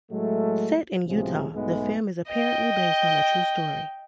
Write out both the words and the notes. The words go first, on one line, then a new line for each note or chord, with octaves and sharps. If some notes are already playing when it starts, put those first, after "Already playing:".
Set in Utah, the film is apparently based on a true story.
A2 F#3 G#3 A3
C#2 A2 C3 F3 F#3 G#3
B1 G#2 G#3 A3 B3 G#4
D#5 G5